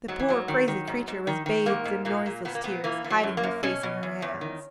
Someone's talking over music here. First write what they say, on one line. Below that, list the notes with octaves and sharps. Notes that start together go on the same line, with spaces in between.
The poor, crazy creature was bathed in noiseless tears, hiding her face in her hands.
G#2 F#3
E3
G#2 F#3
D#3
D#3
G#2
G#2
D#3
D#3
G#2 A#3
G#2
A#2 A#3
A#2
A#2 B3
A#3
A#2 B3
E3 A#3
E3
F#3
F#2
A#3
F#2
B2 C#4
B2
E2
E2
D#3